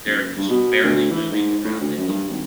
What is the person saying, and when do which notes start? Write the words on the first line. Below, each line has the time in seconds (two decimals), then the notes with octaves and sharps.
They're just barely moving around, they look
0.05 F#1
0.37 G2
0.50 B2
0.83 D2
1.11 E3
1.31 G#2
1.64 A2
1.80 D2
1.97 F#2
2.08 G2
2.29 G#1